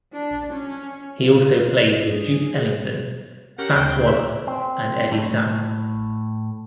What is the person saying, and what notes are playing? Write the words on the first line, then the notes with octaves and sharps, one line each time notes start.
He also played with Duke Ellington, Fats Waller and Eddie South.
D4
C#4
F4
G#4
C#4 G4 A#4 F#5
D2 C#3 C4 G5
E5
C4
A2